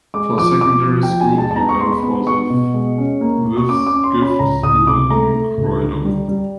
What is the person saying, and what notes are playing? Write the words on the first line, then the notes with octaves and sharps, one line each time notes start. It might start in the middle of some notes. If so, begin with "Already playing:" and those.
For secondary school he went to the Whitgift School in Croydon.
G#3 D6
F3 D6
F3 D6
F3
G5
F3
G#5
G#3
A5
A5
B3 A#5
C#6
G#3 C6
B5
B3
B3 C#6
B2
G#3
C#4
A#3
A#3
C#6
C#4 D6
D6
C#4
C6
C#4
B5
C#2 A#5
C#2 D#6
C3 D6
A3 A#5
A3
C#2
D3
G3
G3